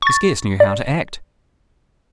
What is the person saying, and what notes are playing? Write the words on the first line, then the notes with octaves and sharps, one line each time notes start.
He scarce knew how to act.
C#6 A6
D5